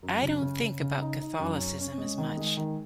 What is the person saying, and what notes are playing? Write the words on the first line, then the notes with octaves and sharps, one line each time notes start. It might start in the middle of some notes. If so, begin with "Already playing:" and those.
I don't think about Catholicism as much.
F#2
C#3
C#3
C#3
C#3
D#4
D#4
F#2
C#4
C#4
G#3
D#3
G#3
D#3